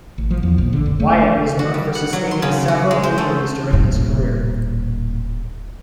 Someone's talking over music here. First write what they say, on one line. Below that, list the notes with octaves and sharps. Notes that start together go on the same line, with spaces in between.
Wyatt was noted for sustaining several injuries during his career.
A1
F3
E2
A#1
D3
F1
A3
F#4
G3
F#5
F#3
C6
C#3
F#4
G#3
C5
A3
D#1 A2